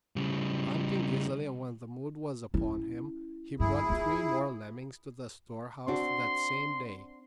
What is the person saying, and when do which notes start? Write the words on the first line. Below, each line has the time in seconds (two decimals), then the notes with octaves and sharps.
Hunting easily and when the mood was upon him, he brought three more lemmings to the storehouse that same day.
0.16 C#3 G3
2.54 C#4 E4
3.60 G2 E4 G#4
3.89 D#4 F4
5.87 C4 D4 F#4 C6